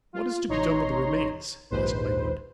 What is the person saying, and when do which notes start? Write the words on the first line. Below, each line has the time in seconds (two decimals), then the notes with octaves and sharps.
'What is to be done with the remains?' asked Lightwood.
0.13 F4
0.48 A1 D#4 C#5 A#5 C6
1.70 A#1 D#2 G#2 B4 C5